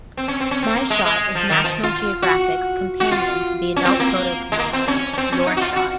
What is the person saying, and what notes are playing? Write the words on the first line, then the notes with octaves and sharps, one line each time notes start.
My Shot is National Geographic's companion to the adult photo community "Your Shot".
C4
C#4
C4
C#4
C4
A#3
G#3
G#3
F3
D#3
F3
F4
F#4
F#4
F4
C#4
C4
A#3
G#3
A#3
C4
C#4
C#4
C4
C#4
D#4
F#4
F4
F#4